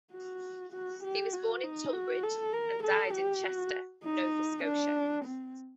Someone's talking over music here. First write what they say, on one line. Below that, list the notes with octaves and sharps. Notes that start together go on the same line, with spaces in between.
He was born in Tonbridge and died in Chester, Nova Scotia.
F#4
F#4
G4
F#4
D#4
F#4
A4
A#4
A4
G4
F#4
D#4
D4
C4